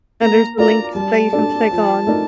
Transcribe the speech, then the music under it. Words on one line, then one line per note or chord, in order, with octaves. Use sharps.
and there's a link that you can click on
A#3 A#5
F4 A#4 D5 A#5
G3 A5
D4 A4 D5
F3
A3 D#4 A#4 D5